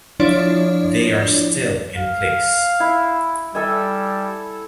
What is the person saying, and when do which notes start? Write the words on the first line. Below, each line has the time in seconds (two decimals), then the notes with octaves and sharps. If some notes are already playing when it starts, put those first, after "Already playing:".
They are still in place.
0.20 F3 D4 E4 C#5 D5
1.97 F5
2.80 E4
3.55 G3 A4 E5 G#5